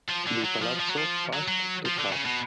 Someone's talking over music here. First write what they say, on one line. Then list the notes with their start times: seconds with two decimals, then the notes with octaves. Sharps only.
The palazzo passed to cav.
0.09 F3
0.27 D3
0.44 F#3
0.62 F3
0.80 F3
0.89 F#3
0.98 F3
1.33 F#3
1.48 F#3
1.86 F3
1.99 D3
2.12 C#3
2.26 B2